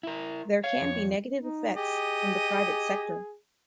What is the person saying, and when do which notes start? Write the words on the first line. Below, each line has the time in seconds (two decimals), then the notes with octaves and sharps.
There can be negative effects from the private sector.
0.03 E4 A#4
0.64 C#5 F5
0.81 F2
1.41 D#4
1.75 G4 G#4 D#5